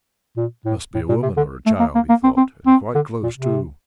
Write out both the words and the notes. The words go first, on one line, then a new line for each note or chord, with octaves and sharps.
"It must be a woman or a child," he thought, "and quite close too."
A#2
A2
A2
A#2
C3
D3
A3
A#3
A#3
A#3
C4
C4
C4
D3
A#2
C3